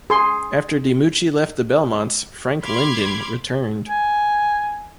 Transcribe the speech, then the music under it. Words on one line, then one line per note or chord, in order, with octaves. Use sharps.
After DiMucci left the Belmonts, Frank Lyndon returned.
G#4 C6
B5 C6 D6 F6 G#6
G#5